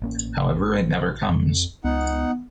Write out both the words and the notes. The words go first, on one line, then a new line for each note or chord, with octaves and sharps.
However, it never comes.
A1 A#3 C#4
F2
C#2 B3 D#4 F#5